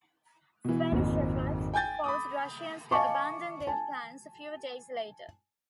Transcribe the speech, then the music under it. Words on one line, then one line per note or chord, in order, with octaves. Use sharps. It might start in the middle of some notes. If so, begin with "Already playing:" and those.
Swedish efforts forced Russians to abandon their plans few days later.
B2 E3
G#1 F2 A#2
G5 G#5 G6 A6
B5 D6 D#6
D#5 F5 G#5 A5 C#6 D6
G#5 A5